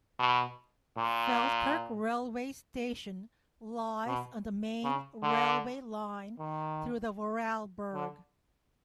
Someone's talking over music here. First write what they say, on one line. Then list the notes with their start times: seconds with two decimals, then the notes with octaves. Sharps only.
Feldkirch railway station lies on the main railway line through the Vorarlberg.
0.19 B2
0.97 A#2
4.06 B2
4.84 C#3
5.22 D3
6.39 D#3
7.94 D3